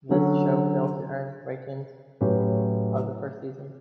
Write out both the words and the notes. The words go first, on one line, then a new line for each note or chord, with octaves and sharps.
This show failed to earn the ratings of the first season.
D3 F#3 C#4 F#4 A4
A2 F#3 C#4 G4 B4